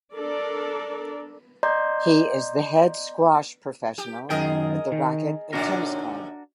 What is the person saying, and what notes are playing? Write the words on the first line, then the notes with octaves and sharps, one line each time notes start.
He is the head squash professional at the Racquet and Tennis Club.
D4 A4 A#4 D5
D5 D#5 A#5 C6 G6
G4
F#2 D#3 G#4 A#4 D#5 G5
D#3
D#2 C3 C#4 D4 F#4 A#4